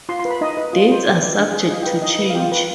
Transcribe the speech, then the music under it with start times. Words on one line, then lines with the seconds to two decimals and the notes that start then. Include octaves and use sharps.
Dates are subject to change.
0.09 F4 C6
0.19 C6
0.25 B4
0.31 B5
0.41 D#4 D#5
0.57 B4
0.73 F4
0.90 C5
1.05 D#4 D5
1.22 B4
1.39 D4
1.54 G#4
1.71 F4 D#5
1.83 G5
1.86 B4 F5
2.02 D#4 D#5
2.19 B4
2.30 F5
2.35 F4 G5
2.52 B4